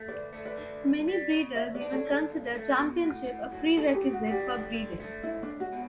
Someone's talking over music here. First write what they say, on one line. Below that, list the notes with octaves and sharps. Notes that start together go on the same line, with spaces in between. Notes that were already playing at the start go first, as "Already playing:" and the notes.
Many breeders even consider championship a prerequisite for breeding.
Already playing: A3
D2 B4 D5
A3
B4 D5
D3
C#2
G3
C#3
D2 C#5 E5
B4 D5
D4
A4 C#5
D3
A4
B1
A3
B2
A2 F#4
A2
F#3
C#3 A4
G4
C#3
F#4
G3
G4
D3
D3
A3
C#2 E4
D4
C#2
F#4
B2